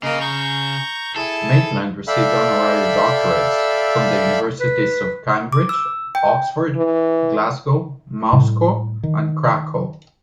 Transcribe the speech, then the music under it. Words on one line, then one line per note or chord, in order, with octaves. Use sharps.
Maitland received honorary doctorates from the universities of Cambridge, Oxford, Glasgow, Moscow and Cracow.
C#3 A#3 A#4 D#5
A#5 C#6 G6
E4 G#4 A4
A4 D5 E5 F5 G5 B5
B4
D6
E6
G5
E3
A2 G3
D#3